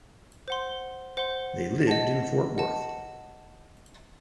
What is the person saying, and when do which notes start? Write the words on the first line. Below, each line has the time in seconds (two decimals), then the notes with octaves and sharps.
They lived in Fort Worth.
0.48 C5 F#5 C6
1.17 C5 F#5 C6
1.87 D#5 F#5 A5
2.58 D#5 F#5 A5